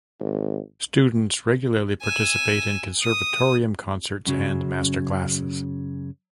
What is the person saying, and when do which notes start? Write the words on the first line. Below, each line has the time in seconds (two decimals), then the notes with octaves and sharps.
Students regularly participate in Conservatorium concerts and master classes.
0.20 G#1
2.02 G#5 E6
3.01 D#6
4.27 F#2 C#3 F#3